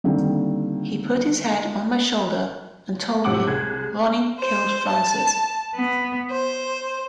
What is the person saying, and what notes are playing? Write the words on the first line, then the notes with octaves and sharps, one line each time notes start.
He put his head on my shoulder and told me Ronnie killed Frances.
D3 D#3 G3 A#3 C4
A2 C3 F#5 D6 F#7
C2 G#3 F#6 G#6
C5
A5
B3
C5